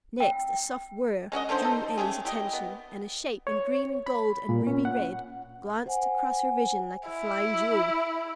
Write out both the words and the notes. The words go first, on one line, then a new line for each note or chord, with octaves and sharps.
Next a soft whir drew Elly's attention, and a shape in green and gold and ruby-red glanced across her vision like a flying jewel.
G5
G#3 C#4 F#4 D#5
D3 E3 C#4 C5
D#4 A4
A3 C#4 G4 G#4
E4 G4 D#5
B3
C#5
B5
A#2
C#4
F#5
C5 F#5 G#5
E4